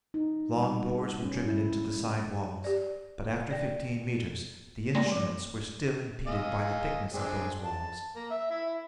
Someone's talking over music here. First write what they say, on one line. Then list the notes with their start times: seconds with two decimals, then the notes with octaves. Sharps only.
Long bores were driven into the side walls; but after fifteen meters, the instruments were still impeded by the thickness of those walls.
0.14 D#4
0.57 G3
0.98 G#4
1.22 C#4
1.45 E4
1.96 G#3
2.64 G4 D5
3.51 D5 G5
4.95 G3 G#3 A#3 D5 C6
5.12 F3
6.27 G#4 D#5 F5
7.14 C4 D4 G#4
7.65 A5
8.15 A#3
8.31 E5
8.51 E4 E5